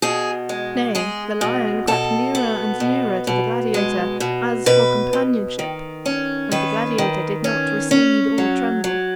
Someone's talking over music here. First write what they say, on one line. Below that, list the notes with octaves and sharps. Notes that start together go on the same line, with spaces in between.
Nay, the lion crept nearer and nearer to the gladiator, as for companionship; and the gladiator did not recede or tremble.
B2 G#4
G#3
G#3 G#4
B2
B2 A4
B3
B2
B2
G#3
B2
B2 B4
B2
D#3
C#4
D#3 B4
D#3
C#4
C#4
F#3
F#3